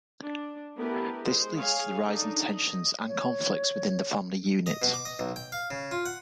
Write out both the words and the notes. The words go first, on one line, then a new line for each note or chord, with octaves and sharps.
This leads to a rise in tensions and conflicts within the family unit.
D4
A3 B3 E4 G4 A#4 B4
G#3 C5
G#4 C#5 F5 G#5
D4 D#4 A4
D#5
C#5
D#5
B2
D6
D#5
B1
G5
F5
C#3
F4
F#5